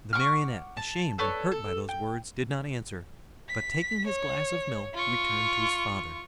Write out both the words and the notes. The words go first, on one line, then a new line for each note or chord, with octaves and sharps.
The Marionette, ashamed and hurt by those words, did not answer, but taking his glass of milk returned to his father.
F#5 C#6 D6 F6
A5
A4 B4 C#5 D5
A4
G5
B6
C#5
F4 C#6